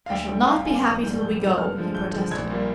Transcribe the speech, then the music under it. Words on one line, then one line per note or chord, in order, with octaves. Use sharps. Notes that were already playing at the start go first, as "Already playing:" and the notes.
"I shall not be happy till we go!" he protested.
F5
D2 G5
D3 G3
D2 F5
G5
D3 G3 G#5
D6
A#1 D#6
G#2 G3 A#3 G6
A#1 G6
G#2 G3 A#3
G2 F6
D3 F3 G#3
G2 G6
D3 F3 G#3
A#1 G#6
A#2 G3 A#3